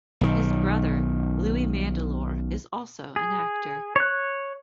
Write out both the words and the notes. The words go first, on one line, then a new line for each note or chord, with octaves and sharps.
His brother, Louis Mandylor, is also an actor.
B1 D#3
G#4
C#5 F#6